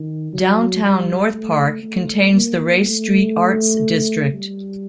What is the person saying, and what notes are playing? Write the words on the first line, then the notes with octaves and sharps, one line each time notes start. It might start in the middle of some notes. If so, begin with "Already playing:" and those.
Downtown North Park contains the Ray Street Arts District.
Already playing: D#3
F#3
G3
A3
A3
A#3
A3
G3